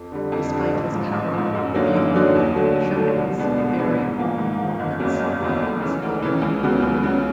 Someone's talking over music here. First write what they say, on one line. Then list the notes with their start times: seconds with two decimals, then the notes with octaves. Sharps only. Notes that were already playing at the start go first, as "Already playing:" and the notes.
Despite his power, the Beyonder showed his very own moments of possible vulnerability.
Already playing: F2
0.12 D3 G3
0.32 F2
0.52 D3 G3
0.73 A1
0.92 G#2 F3
1.14 A1
1.34 G#2 F3
1.55 F#2
1.74 D3 F#3 A#3 D#4
1.95 F#2
2.14 D3 F#3 A#3 D#4
2.35 D#2
2.56 D3 F#3 A3
2.76 D#2
2.96 D3 F#3 A3
3.16 C2
3.37 B2 G#3 B3 D4
3.58 C2
3.78 B2 G#3 B3 D4
3.99 G#2
4.19 F3 A#3
4.38 G#2
4.59 F3 A#3
4.79 F#1
4.99 E2 C#3 F#3 A#3
5.20 F#1
5.40 E2 C#3 F#3 A#3
5.61 D2
5.81 C#3 E3
6.02 D2
6.22 C#3 E3
6.42 C#2
6.63 C#3 F#3 B3
6.82 C#2
7.03 C#3 F#3 B3